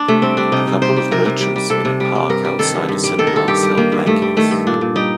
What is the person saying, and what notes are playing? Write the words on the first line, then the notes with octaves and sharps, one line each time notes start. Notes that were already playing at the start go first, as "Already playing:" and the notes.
A couple of merchants in a park outside a cinema sell blankets.
Already playing: D4
C3 A3
G3 C4
G3 D4
C3 D#4
C3
G3 C5
G3
C3 A#4
C3
G3
G3
C3 A4
C3
G3
G3
G2 A#4
G3
D#3 A4
G2
G2
G3
D#3 A4
A#4
G2 A4
G2 G4
G3
D#3 A#3
G2
G2 A3
G3
D#3 A3
G2
A#2 D4
A#2
G3 D#4